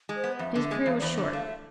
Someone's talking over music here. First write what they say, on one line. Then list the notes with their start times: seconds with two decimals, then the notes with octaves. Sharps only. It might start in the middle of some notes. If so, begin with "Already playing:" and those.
His career was short.
0.09 G#3
0.16 C5
0.24 B3
0.39 F2 E5
0.56 D3
0.63 E5
0.71 G#3
0.86 E2 F5
0.98 D5
1.02 E2
1.10 C5
1.18 D3 E5
1.33 A3 F5
1.45 E5